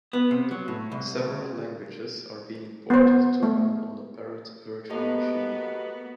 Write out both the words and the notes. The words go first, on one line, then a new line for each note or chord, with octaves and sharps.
Several languages are being ported to run on the Parrot virtual machine.
B3
C3
F#3
A2
C2
D2
B3 C5
A3
A#3 B3 F#4 G4 A4 D#5